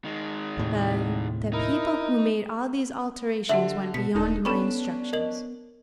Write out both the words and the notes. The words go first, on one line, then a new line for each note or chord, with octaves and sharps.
The--the people who made all these alterations went beyond my instructions.
D#3 G#3
D#2 A2 C3
D#4 E4 A#4
D3 G4 E5 F#5 F#7
B2 B6 C#7
D#1 D4 D#4 A4
B3 C#4 D4 A4 B5 C#6
A#4 D#5 F#7